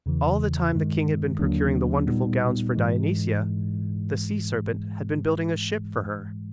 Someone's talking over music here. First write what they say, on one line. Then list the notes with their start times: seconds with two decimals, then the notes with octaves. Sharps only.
All the time the king had been procuring the wonderful gowns for Dionysia the sea serpent had been building a ship for her.
0.06 E2 C#3 E3
0.73 G2 D#3 G#3
1.39 D#2 D3 F#3 A#3 D4
2.07 A#2 G3 B3 D#4
2.75 G#2 E3 G#3